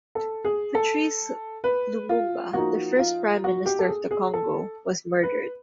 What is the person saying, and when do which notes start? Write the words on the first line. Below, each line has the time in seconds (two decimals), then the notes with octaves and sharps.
Patrice Lumumba, the first Prime Minister of the Congo, was murdered.
0.15 A4
0.45 G#4
0.75 A4
1.64 B4
2.09 F4
2.53 F3 A#3 D#4 F#4
2.99 F4
3.44 F#4
3.66 G4
3.79 A4
3.89 G#4
4.11 G#4
4.34 A4
5.23 B4